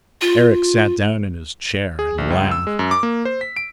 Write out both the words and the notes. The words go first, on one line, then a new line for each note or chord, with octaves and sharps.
Eric sat down in his chair and laughed.
F4
G#4
A#1
C#2
E6
G#3
F#2
D6
A#3
C5
B6
D7